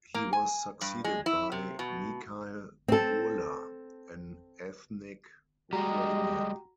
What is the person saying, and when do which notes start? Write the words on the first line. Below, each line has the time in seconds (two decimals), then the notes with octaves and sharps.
He was succeeded by Mikhail Burla, an ethnic Ukrainian.
0.14 A#3
0.33 G#5
0.81 G2
1.04 G#3
1.26 E4
1.52 C3
1.79 B2
2.88 C4 A4
5.73 G3 G#3 F#4 G4 D#5 A#5